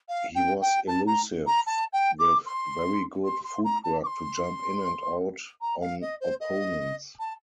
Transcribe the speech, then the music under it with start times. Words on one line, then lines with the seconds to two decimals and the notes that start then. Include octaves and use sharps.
He was elusive with very good footwork to jump in and out on opponents.
0.09 F5
0.35 G5
0.61 G5
0.87 A5
1.07 A#5
1.47 A#5
1.66 A5
1.93 G5
2.19 D6
2.46 C6
3.24 C6
3.44 C6
3.64 A#5
3.84 A5
4.03 D6
4.06 C6
5.61 A#5
5.81 F5
6.01 D#5
6.21 C5
6.40 D#5
7.19 A5